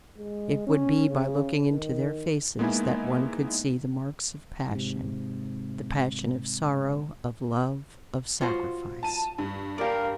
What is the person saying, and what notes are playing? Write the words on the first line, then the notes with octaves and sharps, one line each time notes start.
It would be by looking into their faces that one could see the marks of passion--the passion of sorrow, of love, of sacrifice.
G#3
C#4
C#3
D#3
G#3 A#3 B3 D#4 E4 G#5
G#2 C3
F4 F#4 C5
A5 D#7
G2
G4 A#4 D5 F5